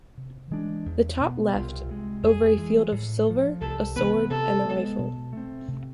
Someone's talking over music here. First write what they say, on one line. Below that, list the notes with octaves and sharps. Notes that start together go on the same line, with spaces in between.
The top left over a field of silver a sword and a rifle.
C3
E3 G#3 D4
E2
B2 B3
C2 F4
C3 G#3
F2 G#4
E3 G#3
A2
F3 A3
C2 A4
C3 E3 B3 B4
C3 A4
G#3 B3
B2
A3 C4
C3